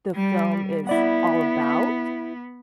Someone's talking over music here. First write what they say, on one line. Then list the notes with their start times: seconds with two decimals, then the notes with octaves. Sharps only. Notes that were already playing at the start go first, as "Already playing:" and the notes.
the film is all about.
0.15 G3
0.87 B3 E4 D5 F#5